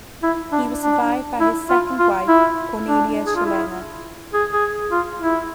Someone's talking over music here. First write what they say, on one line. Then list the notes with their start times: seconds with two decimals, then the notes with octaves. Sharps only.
He was survived by his second wife, Cornelia Schellinger.
0.23 E4
0.52 D4
0.81 D4
1.40 E4
1.70 F4
1.99 F4
2.28 E4
2.86 D4
3.26 G#4
3.36 F4
3.46 E4
4.33 G#4
4.53 G#4
4.92 F4
5.21 E4